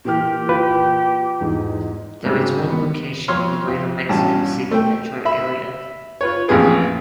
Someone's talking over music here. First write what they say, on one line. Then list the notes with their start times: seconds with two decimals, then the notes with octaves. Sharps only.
There is one location in the Greater Mexico City metro area.
0.05 A#2 E3 G4 F6
0.49 F4 B4
1.41 E2 G#2
2.25 G#2 C#3 F#3 G3
2.70 B3
3.28 F2 C#5 C6 F6
3.68 F2
4.09 A1 G2 B2 C#4 A5
4.71 A3 G5
5.25 E5 B5
6.21 F4 B4 C#5
6.48 A1 F2 A#2 G4 G#4 B4